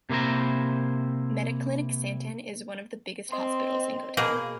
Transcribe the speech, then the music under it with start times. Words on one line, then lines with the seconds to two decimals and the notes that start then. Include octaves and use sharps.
Mediclinic Sandton is one of the biggest hospitals in Gauteng.
0.10 C3 A#3 E4 C5 A#5
3.32 C4 D#5 C6
4.17 B2 A#3 G#4 A#4 F5